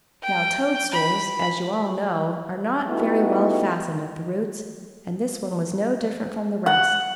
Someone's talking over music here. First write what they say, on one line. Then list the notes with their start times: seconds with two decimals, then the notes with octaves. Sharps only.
Now toadstools, as you all know, are not very well fastened at the roots, and this one was no different from the rest.
0.23 G5
0.92 B5
2.88 A3 B3 D#4 E4 F#4 G4
6.66 F#5